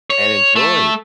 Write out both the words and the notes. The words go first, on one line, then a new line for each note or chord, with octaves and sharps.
And enjoyed.
C#5
A3